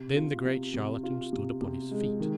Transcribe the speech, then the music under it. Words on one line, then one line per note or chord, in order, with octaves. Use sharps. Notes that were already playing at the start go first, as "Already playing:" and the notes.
Then the great charlatan stood upon his feet.
Already playing: C3
F4
C3
C3
F4
C3
C3
G#3
D#3